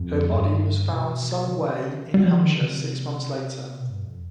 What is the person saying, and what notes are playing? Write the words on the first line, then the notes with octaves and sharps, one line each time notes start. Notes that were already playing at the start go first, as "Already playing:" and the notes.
Her body was found some away in Hampshire six months later.
Already playing: F2
G2
B2
D3
G3
F3
D#3
D3
C3
B2
G2
F2